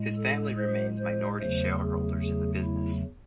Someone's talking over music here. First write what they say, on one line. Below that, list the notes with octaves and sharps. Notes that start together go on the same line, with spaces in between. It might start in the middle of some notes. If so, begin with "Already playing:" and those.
His family remain minority shareholders in the business.
Already playing: A2 G#3
A4
C5
C5
E2 C#3 F#3 A3 C5
G#4
G#4
E4